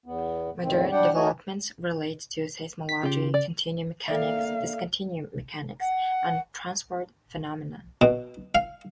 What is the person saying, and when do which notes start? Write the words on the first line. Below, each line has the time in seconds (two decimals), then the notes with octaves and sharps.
Modern developments relate to seismology, continuum mechanics, discontinuum mechanics, and transport phenomena.
0.06 E2 B3
0.62 E2 A2 D#3 C4
0.91 G3 D4 D5 F#5 G5
1.15 A3 D#4 F#4 C#5 D#5 G#5
2.89 B6
3.03 C#3 F4 G4
3.34 D5
4.08 A#3 A4 D5 E5 F5
5.80 F#5
8.01 B2
8.55 F5